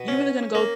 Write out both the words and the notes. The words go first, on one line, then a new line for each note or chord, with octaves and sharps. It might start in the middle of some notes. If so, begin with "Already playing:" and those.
you really gonna go
Already playing: B2
C#4
A#3